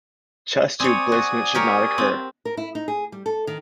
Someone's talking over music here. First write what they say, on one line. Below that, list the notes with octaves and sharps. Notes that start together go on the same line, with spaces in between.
Chest tube placement should not occur.
C4 C#5 D5 G#5 D#6
F#4
G4 A#4 C#5
C4
A#4
E4
D#4
G#4
G3
A4
D#3